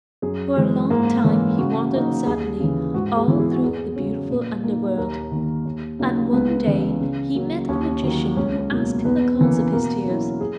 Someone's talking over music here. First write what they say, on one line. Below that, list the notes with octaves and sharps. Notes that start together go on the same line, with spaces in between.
For a long time he wandered sadly all through the beautiful underworld, and one day he met a magician who asked him the cause of his tears.
F#2 G#4
E3 G#3
G#2 A#3 A#4
E3 G#3 C#4
C#3 F#4
F#3 A#3 D#4
D#2 G#4
C#3 E3
G#2 F#4
G#4
E3 B3 E4
G#4
F#4
E2 G#4
C#3 F#3 C#4
A#2
A#3 D#4
D#2 A#3 A#4
D#3 A#3
D#2
C#3 F#3 A#3 D#4
C#2 B3 B4
C#3 E3
C#3
F#3 A#3
D#2 C#4 C#5
D#3 F#3 A#3
C#2 C#4 C#5
B2 F#3 A#3
E2 B3 B4
C#3 E3 A#3
B2 A#3 A#4
F#3 C#4 E4
G#4